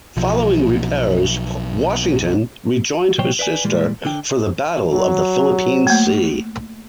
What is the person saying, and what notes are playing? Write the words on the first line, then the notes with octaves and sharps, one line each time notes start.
Following repairs, "Washington" rejoined her sister for the Battle of the Philippine Sea.
B1 F3
C2 A#2 F3 C5 C#5 G5
B4 D5 D#5 G#5
A#2 E3 G3 G#3 A#3
D3 D4 G5
F#3
A3 A#3